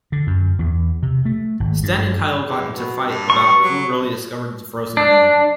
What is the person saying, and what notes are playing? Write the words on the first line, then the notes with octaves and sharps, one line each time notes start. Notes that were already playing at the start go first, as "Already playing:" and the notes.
Stan and Kyle get into a fight about who really discovered the frozen man.
D3
F#2
E2
C3
A3
G#1
G2
E2
B2
G2
C#6
F#3
D4